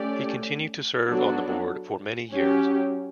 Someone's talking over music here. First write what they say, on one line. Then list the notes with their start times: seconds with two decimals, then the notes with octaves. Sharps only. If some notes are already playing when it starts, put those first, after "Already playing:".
He continued to serve on the board for many years.
Already playing: A3 C#4 G4 D5
1.08 F#3 B3 D4 F#4 A4
2.32 F#3 C#4 G4